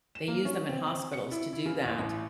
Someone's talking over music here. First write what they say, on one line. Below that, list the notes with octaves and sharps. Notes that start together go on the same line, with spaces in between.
they use them in hospitals to do that.
E7
A#3
C#4
C4
C4
C#7
E4
E4
C#3
E2
A1